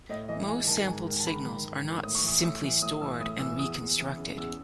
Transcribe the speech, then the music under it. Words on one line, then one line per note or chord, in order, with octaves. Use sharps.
Most sampled signals are not simply stored and reconstructed.
A2 D#5
E3 D#5
G#2 G#5
D#3 A5
G#2 G#5
D#3
A5
G#2 B5
D#3
G#2
D#3
A2 D#6
C#6
E3 D#6
A2 E6
E3
A2 D#6
E3 E6
A2 D#6
E3 E6
E2 D#6
E2
E3
C#3
E2 E6